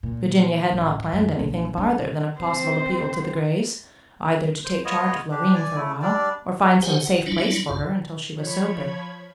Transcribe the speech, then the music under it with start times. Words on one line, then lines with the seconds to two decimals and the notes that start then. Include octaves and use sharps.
Virginia had not planned anything farther than a possible appeal to the Grays, either to take charge of Loreen for a while or find some safe place for her until she was sober.
0.03 A#2
0.72 A1
1.13 F#2
1.39 A#1
1.78 D4
2.38 C4 C5
4.64 C5
4.85 B3 F4 C#5 D#5
5.31 D4 G4
5.55 D5 G#5
5.77 A3 E4
6.02 G3 D4 D5
6.82 G4 C5 F#5 G#5
7.01 F#5
7.26 F#3 G3 D4 E4 F4
7.69 B1 G2 F4
8.33 F3 C#5 B5 G#6